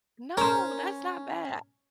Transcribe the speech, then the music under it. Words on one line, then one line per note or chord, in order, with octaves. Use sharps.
No, that's not ba
C#4 A#4 C5